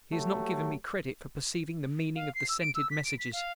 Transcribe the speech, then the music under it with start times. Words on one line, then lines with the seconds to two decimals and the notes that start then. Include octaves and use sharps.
He has not given me credit for perceiving the meaning of the scented messages.
0.12 F#3 A3 G4
2.16 F5
2.35 C7
2.49 E6
2.61 D7
2.75 E6
2.91 B6
3.05 D7
3.19 B6
3.33 F5